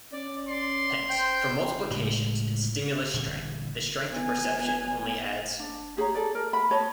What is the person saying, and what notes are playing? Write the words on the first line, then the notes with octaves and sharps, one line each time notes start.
Hence, for multiplications in stimulus strength, the strength of perception only adds.
C#4 D5
D5 C6
C5 G5 G6
A2 C#3 G#3
A#2 D3 E3 G3
B3 G#5
D4
G4 G#4 C#5 A#5
G#4 A4 D5
A#4
B5
C#5 D#5 A5